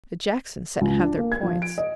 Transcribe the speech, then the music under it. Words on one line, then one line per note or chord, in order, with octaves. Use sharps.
"The Jackson set have their points."
C#2
D4
A#3
G#6
F3
D7
D#5